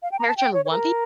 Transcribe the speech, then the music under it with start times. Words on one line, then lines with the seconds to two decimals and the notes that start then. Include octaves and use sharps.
character in One Pi
0.03 F5
0.12 G5
0.19 A#5
0.28 A5
0.37 G5
0.54 C#5
0.65 C#5
0.70 A#4